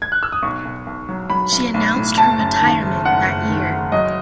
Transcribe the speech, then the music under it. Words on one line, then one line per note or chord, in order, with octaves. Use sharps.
She announced her retirement that year.
G#6
F#6
E6
D#6
B1 C#6
B1
B1
F#3
F#3 B5
B1
B1
A2
F#1 A5
F#2
D#3
F#1
F#2 F#5
F#1
D#3
F#1
F#3 D#5